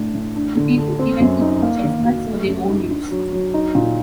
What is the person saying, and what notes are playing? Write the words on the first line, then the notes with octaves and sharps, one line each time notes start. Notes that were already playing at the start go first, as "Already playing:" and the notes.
The people even cooked the chestnuts for their own use.
Already playing: A2 D4
A2
D4
D3
A4
C4
F#2
D#4
A#3
D#3
F#4
A3
F#2
D#4
D4
F#3
F#3
D#4
A#2